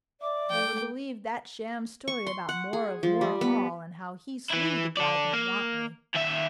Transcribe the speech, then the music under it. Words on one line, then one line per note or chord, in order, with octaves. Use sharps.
Never believe that sham story about More of More Hall, and how he slew the Dragon of Wantley.
D5 E5 D6
A3 A4 G5
C#6
C6
F#5
G#4
F3
G3
B3
E3 E4
A4 D5
A#3
D#2 E5